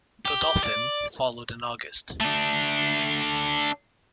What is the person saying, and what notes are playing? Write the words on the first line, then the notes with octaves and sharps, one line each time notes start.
Godolphin followed in August.
G4
D5
A3 D4